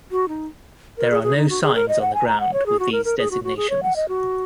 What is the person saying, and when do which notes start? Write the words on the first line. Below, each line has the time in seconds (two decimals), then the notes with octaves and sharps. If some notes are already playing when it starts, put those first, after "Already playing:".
There are no signs on the ground with these designations.
0.11 F#4
0.28 D#4
0.98 A#4
1.10 G#4
1.23 G#4
1.36 D#4
1.49 F#4
1.63 G#4
1.75 A#4
1.88 D#5
2.02 F#5
2.14 G#5
2.27 A#5
2.40 F#5
2.53 C#5
2.66 G#4
2.79 F#4
2.92 A#4
3.05 A#4
3.18 G#4
3.31 F#4
3.44 F#4
3.57 G#4
3.70 C#5
3.83 F#5
3.96 D#5
4.09 F#4